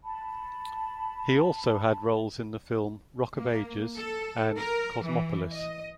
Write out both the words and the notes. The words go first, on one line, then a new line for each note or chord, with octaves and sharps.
He also had roles in the film "Rock of Ages" and "Cosmopolis".
A5 B5
A#3
A4
A#4
E3
D#5